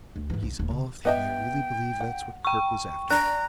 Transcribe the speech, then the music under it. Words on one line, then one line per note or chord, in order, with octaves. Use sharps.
"She's off, and I really believe that's what Kirk was after."
D2
G#2 E3
C2
D#1 A3
C#3
B3 D#5 E5 G5
F#5
G5 C#6
D4 A#5 F#6